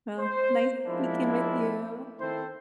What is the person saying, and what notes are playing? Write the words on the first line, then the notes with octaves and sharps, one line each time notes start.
Well, nice speaking with you
C5
F3 G#3 A#3 C4 D4 E4
D#3 C4 E4 A4 C5